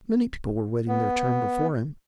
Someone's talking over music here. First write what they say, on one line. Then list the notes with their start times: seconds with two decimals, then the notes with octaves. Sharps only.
Many people were waiting their turn before him.
0.88 B3